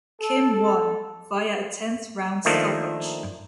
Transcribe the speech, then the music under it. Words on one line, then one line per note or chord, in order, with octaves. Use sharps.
Kim won via a tenth round stoppage.
A4
D#3 F3 A3 A#3 D4